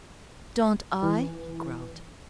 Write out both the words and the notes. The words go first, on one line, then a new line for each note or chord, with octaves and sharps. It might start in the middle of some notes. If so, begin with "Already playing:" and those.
"Don't I?" he growled.
E3